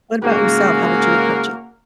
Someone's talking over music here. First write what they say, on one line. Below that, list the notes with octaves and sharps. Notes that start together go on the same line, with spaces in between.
What about yourself? How would you approach it?
G#2 C#3 A#3 F#4 G#4 A#4